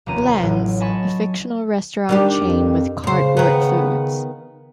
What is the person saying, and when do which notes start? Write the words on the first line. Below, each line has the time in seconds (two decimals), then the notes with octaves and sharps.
Bland's, a fictional restaurant chain with cardboard foods.
0.06 F1 D#2 C#4 A#5 D#7
0.42 A1 A2 F#3
0.80 D#5 G#5 A5 B5 C#6
2.09 D#3 G3 D4 G4
2.40 F2
3.04 A#2 C#3 C5
3.37 D#3 B3